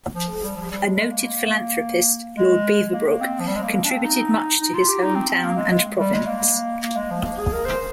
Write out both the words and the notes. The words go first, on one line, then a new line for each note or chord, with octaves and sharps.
A noted philanthropist, Lord Beaverbrook, contributed much to his home town and province.
F3
G3
F3
G3
G#3
G#3
A#3
G#3
A#3
C4
F3
G3
G#3
A#3
A#3
D4
C4
D#4
D#4
F4
G4
D#4
C4
C4
A#3
G#3
G#3
G3
G#3
A#3
A#3
G#3
F3
A#3
G#4
A#4
C5